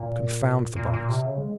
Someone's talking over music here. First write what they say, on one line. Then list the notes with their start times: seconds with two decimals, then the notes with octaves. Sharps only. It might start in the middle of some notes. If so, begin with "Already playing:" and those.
Confound the box!
Already playing: A#2
0.76 A#2
0.93 A#2
1.09 C3
1.25 C#3
1.38 G#3